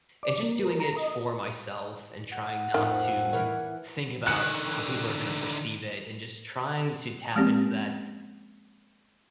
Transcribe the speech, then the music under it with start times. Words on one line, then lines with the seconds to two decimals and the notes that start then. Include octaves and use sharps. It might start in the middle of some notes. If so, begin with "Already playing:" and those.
and just doing it for myself and trying not to think about how people are gonna perceive it and just trying to tap into that
0.23 D5
0.43 A#3
0.63 A#4
0.80 A#5
0.97 D#5
2.32 F#5
2.74 F2 A2 D#3 C#4
3.33 E3 A#4 C#5
4.27 D3 D#3 F#6 C#7
7.35 F3 G#3 A#3 C4 C#4 G4